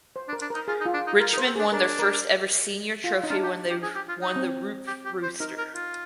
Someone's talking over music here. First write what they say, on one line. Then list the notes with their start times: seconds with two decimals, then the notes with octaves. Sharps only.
Richmond won their first ever senior trophy when they won the Roope Rooster.
0.16 C5
0.29 D4
0.33 A#4
0.42 D4
0.50 D#4 A#4
0.68 F4 G#4
0.81 D#4
0.86 F4
0.94 D4
1.07 D#4
1.20 F4 A#4
1.33 D#4 A#4
1.38 C5
1.47 C4
1.56 D4 G#4
1.72 D4 A#4
1.99 A#4
3.04 F4
3.24 D#4
3.30 D4 F4
3.44 G4
3.70 G4
3.83 G#4
3.96 G4
4.09 F4
4.22 D#4
4.36 C4
4.87 G4
5.05 G4
5.23 C5
5.40 D#4 A#4
5.58 A#4
5.75 F4